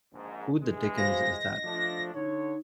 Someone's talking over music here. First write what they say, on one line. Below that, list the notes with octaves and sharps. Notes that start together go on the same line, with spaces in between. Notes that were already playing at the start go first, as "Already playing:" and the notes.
Who the dickens is that?
A#1 G#2
G2 E3 G#3
F#4 C5 F5 A#6
D#5
F3 A3 D4
D3 D#4 C#5